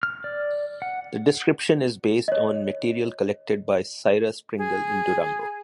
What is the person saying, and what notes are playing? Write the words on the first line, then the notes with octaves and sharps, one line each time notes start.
The description is based on material collected by Cyrus Pringle in Durango.
F6
D5
F#5
C#5 D#5
G#4